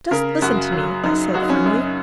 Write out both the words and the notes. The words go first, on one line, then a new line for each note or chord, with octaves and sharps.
"Just listen to me," I said firmly.
C#3 A#4
F#2 F#4
F#3
F#2 D#4
F#3 F#4
D#4
C#4
F#2